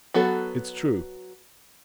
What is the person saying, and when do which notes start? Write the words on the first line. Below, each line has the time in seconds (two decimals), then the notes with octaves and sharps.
"It's true."
0.14 F#3 B3 F#4 A4